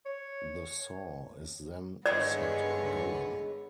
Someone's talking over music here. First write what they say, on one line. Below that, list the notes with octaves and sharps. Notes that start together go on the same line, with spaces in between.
The saw is then set going.
C#5
G2 D3 D#3 G#3 B3 E4 C#5 D5